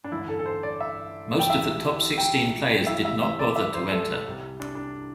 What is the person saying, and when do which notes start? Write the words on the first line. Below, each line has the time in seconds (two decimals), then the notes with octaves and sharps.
Most of the top sixteen players did not bother to enter.
0.04 D4
0.11 A1 G2 D3 E4
0.28 A4
0.39 A4
0.46 C5
0.63 D5
0.81 E5
1.39 G5
1.49 C2 C3 E3 G3 E5
2.18 G5
2.87 A1 A2 G3 E5
3.05 E5
3.22 E5
3.39 D5
3.56 E5
3.74 C5
3.91 A4
4.25 C2 C3 G3
4.60 D4
4.75 D4